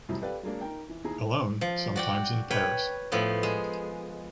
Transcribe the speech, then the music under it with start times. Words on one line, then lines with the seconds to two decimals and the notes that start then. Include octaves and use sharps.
Alone, sometimes in pairs.
0.09 F2 A2 C3 E3 F#3 G3
0.22 G4 A4 B4 D5 F5
0.43 F#3 G#3 A#3 D4
0.61 D#4 A#4 G5
0.89 E3
1.04 D#2 E4 G#4 A#5
1.61 F3
1.96 F#4 D5 G5
2.51 B4 C#5 G5
3.12 A2 F3 B3
3.43 G#3